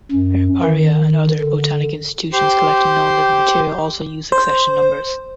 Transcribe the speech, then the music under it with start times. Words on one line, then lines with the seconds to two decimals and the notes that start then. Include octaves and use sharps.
Herbaria and other botanic institutions collecting non living material also use accession numbers.
0.12 F#2
0.64 D#3
1.41 D3
2.33 G4 C5 C6
4.32 C5